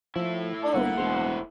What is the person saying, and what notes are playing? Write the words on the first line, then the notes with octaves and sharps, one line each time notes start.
Oh yeah.
F3 A3 E4
G1 A#3 F#5
E1 A2 E4 C5